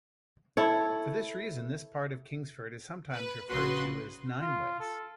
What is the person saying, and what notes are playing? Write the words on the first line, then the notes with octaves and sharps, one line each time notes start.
For this reason, this part of Kingsford is sometimes referred to as "nine-ways".
E4 A4 C#5
B4
A#1 C#3 F#4 B4 C6
F4
A4